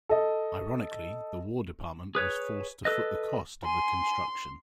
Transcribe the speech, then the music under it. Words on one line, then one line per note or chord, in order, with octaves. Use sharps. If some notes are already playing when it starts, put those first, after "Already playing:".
Ironically, the War Department was forced to foot the cost of the construction.
A4 D#5
G#4 B4 C#5
A4 B4 D#5
G#5 C6